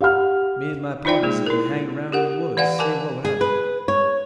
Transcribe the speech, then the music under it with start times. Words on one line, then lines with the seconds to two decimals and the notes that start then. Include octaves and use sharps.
Me an' my pardners have been hangin' 'roun' in the woods, seein' what would happen.
0.01 G4 F5 F#5 F6
1.05 D#4 F4 C5 D5 G5
1.23 G#3 A#3 G#4
1.46 E4 A#4
2.12 G4 A#4 F#5
2.57 E3 D5 F5 F#5 G#5
2.79 A#4 G#5 A5 D6
3.25 G#4
3.41 B4
3.88 C#5